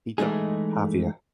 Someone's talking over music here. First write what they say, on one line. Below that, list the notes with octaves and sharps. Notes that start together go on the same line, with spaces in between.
He died in Pavia.
E3 G#3 A3 D#4 G#4